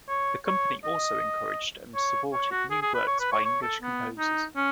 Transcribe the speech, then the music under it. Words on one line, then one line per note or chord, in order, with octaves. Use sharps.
The company also encouraged and supported new works by English composers.
C#5
C#5
D#5
C#5
C#5
F#4
G#4
G#4
B4
C#5
B4
C#5
C#5
A4
B3
D#4
C#4